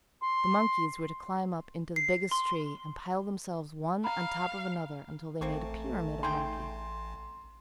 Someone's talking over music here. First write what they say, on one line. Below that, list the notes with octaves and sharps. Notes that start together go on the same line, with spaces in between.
The monkeys were to climb up into the biggest tree and pile themselves one on top of another until they made a pyramid of monkeys.
C6
C7
C6
F5 A#5 B5
A1 A3 A#3 C4 C#6
D#4 G#4 G5 C6